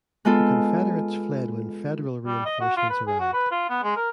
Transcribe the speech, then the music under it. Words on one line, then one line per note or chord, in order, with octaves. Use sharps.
The Confederates fled when Federal reinforcements arrived.
G#3 B3 F4 A4
G3
D#5
F#4
F4
B4
G#4
F#4
B4
F4
B3
G#3
A#4